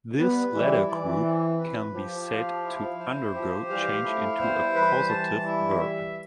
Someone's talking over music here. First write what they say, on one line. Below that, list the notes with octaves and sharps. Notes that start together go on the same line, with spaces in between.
This latter group can be said to undergo change into a causative verb.
G3 B3 B4
E3 G3 E4
E3 D5
C4
B4
F3 G4
F5
E4
C5
F3 G4
E3 G3 F5
F3 A3 E4
G3 B3 C5
E3 G3 B4
A5
E4
E5